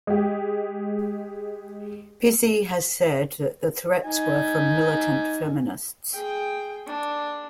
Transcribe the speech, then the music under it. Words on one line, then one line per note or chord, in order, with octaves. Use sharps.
Pizzey has said that the threats were from militant feminists.
G#3 G4
D#4 G#5
G#4 G5
D4